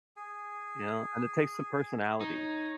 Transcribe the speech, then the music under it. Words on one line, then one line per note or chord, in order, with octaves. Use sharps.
you know? And it takes some personality.
G#4 G#5
D#4 C#5